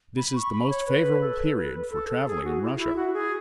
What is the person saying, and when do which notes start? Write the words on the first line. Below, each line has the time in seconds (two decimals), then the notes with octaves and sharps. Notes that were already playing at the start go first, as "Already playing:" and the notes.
This is the most favourable period for travelling in Russia.
0.17 B5
0.35 C#6
0.52 B5
0.70 C#5
0.87 B4
1.21 A4
1.57 B4
1.91 A4
2.09 A4
2.27 G#4
2.45 F#4
2.61 E4
2.78 E4
2.96 F#4
3.13 G#4